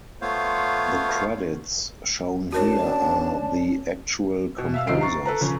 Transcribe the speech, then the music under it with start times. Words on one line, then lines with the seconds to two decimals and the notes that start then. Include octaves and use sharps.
The credits shown here are the actual composers.
0.22 A3 B3 F4 C5 C#5 F5
2.52 C#4 D4 F#4 A#4 C#5 A5
4.58 B2
4.74 E5 F5 E6
4.87 D2 F3 D#4 E6 C7 D7
5.01 A#5 C#6 A6
5.25 A4 B4 A#5
5.41 C#3 F3 C#4